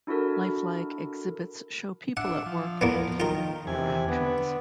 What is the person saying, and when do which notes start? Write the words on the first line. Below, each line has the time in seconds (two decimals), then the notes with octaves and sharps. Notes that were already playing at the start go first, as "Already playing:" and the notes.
Lifelike exhibits show people at work and human interactions.
0.07 D4 E4 F#4 A4 A#4
2.17 D4 E5 F#5
2.46 F3
2.81 E2 A#3 B3
3.20 D#3 F4 A#4
3.67 E2 C3 G#5
4.09 D3 B3